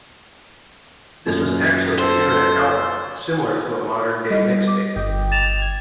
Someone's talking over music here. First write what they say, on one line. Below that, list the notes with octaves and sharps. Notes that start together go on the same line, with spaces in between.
This was actually an internet album, similar to a modern-day mixtape.
F#2 A#2
A4 C5
G3 D#5
D6
G1 D#5 G5
A6 E7 F7
G#6